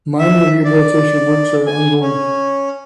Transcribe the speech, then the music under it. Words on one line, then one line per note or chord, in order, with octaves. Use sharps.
Minor rehabilitation works are ongoing.
E5
D5
G#5
C#4